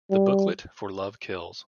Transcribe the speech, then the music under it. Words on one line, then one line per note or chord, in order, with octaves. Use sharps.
The booklet for Love Kills!
G3